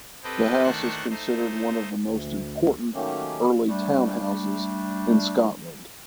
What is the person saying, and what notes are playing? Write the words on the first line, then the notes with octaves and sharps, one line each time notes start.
The house is considered one of the most important early townhouses in Scotland.
C4 G4 A4 B4 D#5 G5
D#3 A3 D4 C5 C#6 F#6
A3 D#4 C5
D2
D#3 F#3 A3 A#3 C#4 G4
G3 A3 D4